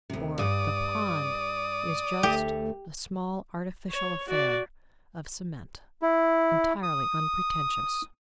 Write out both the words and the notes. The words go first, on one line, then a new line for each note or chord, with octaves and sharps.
For "the pond" is just a small artificial affair of cement, entirely unpretentious.
D2 C3
G2 D5 D#6
D2 A3 G4
C#5
F#4 D5
E4
D#6